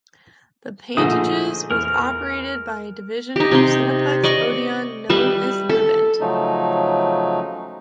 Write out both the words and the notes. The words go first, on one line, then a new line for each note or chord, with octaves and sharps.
The Pantages was operated by a division of Cineplex Odeon known as Livent.
A#2 D3 F3 A3 D#4 G#4 C5 D#6
E2 A#4 F6
D#4 G4
C3 D#4 C6
D5 D#5 C#6
G3 B4 E5
A4
C#3 F3 F#3 A3 D#4